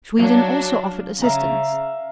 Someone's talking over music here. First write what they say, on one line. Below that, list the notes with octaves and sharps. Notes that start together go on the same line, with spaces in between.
Sweden also offered assistance.
F#3 D4 F5
C#3 E5 F5 A#5